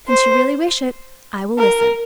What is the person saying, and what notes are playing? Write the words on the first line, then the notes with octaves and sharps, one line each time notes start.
"Since you really wish it, I will listen."
C5
A#4